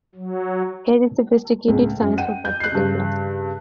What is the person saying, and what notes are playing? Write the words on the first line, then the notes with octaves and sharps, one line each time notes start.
Here is sophisticated science for practical classes.
F#3
C#2 A2
F#2
F#5 G5 D#7
G6
F#6 C7
G2 C#3